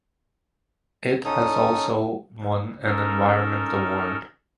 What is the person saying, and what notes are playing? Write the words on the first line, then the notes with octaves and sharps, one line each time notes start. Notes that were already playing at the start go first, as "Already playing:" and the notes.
It has also won an environment award.
C#4 D#4 A4 D#6
C#4 D#4 A4 A#4